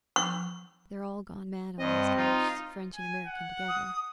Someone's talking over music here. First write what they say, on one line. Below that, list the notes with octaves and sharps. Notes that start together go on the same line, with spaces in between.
They're all gone mad on these coasts--French and American together.
C#6
G2 C4 D#5
D#4 F4
G#5
F#5
D#6